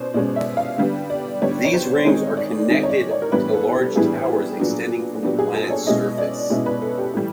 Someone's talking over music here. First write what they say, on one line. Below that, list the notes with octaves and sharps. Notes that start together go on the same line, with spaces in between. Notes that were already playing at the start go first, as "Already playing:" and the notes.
These rings are connected to large towers extending from the planets surface.
Already playing: B2 C#4 C5 D5
B2 G#3 C#4 D5
E5
F5
D3 G3 B3 D4
D5
D3 G3 B3 D4 C#5
C#5
C5
D#3 G#3 C4 D#4 C#5
D5
D#3 G#3 C4 D#4
C#5
D5
C#5
A#4
A2 E3 G3 B3 D4 B4
A4
G4
A2 E3 G3 B3 D4 G#4
A#2 F#3 B3 D4
A#2 F#3 B3 D4 G4
G#4
A4
C#5
B2 G#3 C#4 E4 D#5
D5
B2 G#3 C#4 E4
B4
A4
G4
A2 E3 G3